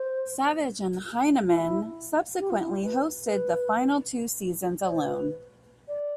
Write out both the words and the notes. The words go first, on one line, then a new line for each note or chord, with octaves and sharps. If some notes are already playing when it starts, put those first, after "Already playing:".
Savage and Hyneman subsequently hosted the final two seasons alone.
Already playing: C5
F4
E4
G4
F4
E4
F4
B4
B4
D5
C5
B4
D5